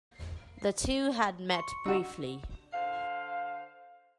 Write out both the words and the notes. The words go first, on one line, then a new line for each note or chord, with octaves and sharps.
The two had met briefly.
C6 C#6 C#7
D#4 F#4 E6 E7
D3 C5 F5